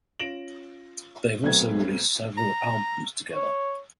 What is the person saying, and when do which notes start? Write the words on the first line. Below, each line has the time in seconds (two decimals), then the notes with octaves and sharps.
They have also released several albums together.
0.19 C#4 F4 A#6 D7 E7 F#7
1.43 B1 A3 B3 C4 G#6
2.37 A#5
3.34 C#5